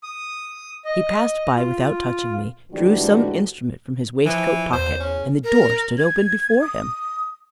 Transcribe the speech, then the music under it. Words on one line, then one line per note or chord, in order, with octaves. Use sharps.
He passed by, without touching me, drew some instrument from his waistcoat pocket, and the door stood open before him.
D#6
D#5
F4
G#2 D3 E3 G3 A3 F#4
E3 F3
E2 C5
C#4
A#4
G#6
D#6